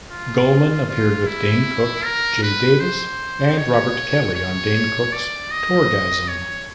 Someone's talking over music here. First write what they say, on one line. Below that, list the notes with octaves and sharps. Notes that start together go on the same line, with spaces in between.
Gulman appeared with Dane Cook, Jay Davis, and Robert Kelly on Dane Cook's "Tourgasm".
F4
F4
E4
A#4
B4
C5
C#5
C#5
D5
D#5
C#5